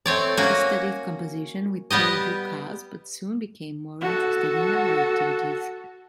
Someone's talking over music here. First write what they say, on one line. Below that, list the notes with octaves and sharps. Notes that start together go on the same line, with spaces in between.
He studied composition with Paul Dukas, but soon became more interested in other activities.
A3 C4 C#5 D5
A#3 C#4 F#4
G3 B3 G4 D#5
F#4 A4